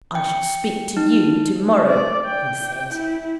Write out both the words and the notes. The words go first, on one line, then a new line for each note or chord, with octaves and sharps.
'I shall speak to you tomorrow,' he said.
G5
D#4
D5
G5
E4